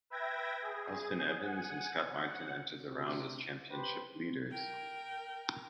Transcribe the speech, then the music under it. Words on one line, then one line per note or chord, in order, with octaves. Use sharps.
Elfyn Evans and Scott Martin entered the round as championships leaders.
B4 E5 G5 G#6 A#6
G#4
F#5 G#5
F#5
C3
G4 B4 C5
A#4 G5